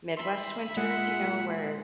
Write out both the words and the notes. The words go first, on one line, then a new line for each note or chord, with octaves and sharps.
Midwest winters, you know, where
E5 B5 C6
A#2 G#3 F#5